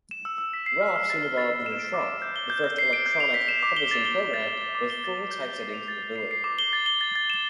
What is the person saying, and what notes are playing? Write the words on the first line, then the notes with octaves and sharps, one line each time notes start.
Roff soon evolved into troff, the first electronic publishing program with full typesetting capability.
E7
E6
E6
B6
C7
F6
F6
A6
G7
A6
A6
E7
D7
D6
D6
G6
G7
G6
G6
C7
D7
G6
F7
B6
E7
D6
G7
A6
G7
A6
A6
E7
E7
D6
G7
A6
E7
G6
G6
C7
F7
A6
A6
C7
C7
D6
G7
A6
G7
A6
A6
E7